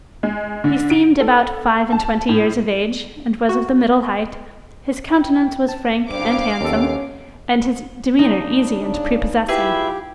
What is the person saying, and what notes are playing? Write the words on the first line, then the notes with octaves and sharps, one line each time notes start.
He seemed about five-and-twenty years of age, and was of the middle height; his countenance was frank and handsome; and his demeanor easy and prepossessing.
G#3
D3
D7
A4
A5
A2
F#4
G5
A5
G2 C5 F5 D6
D#2 B3 C#4 A4
C#3 D4 D#4
E4 F4 G4 G#4 B4 E5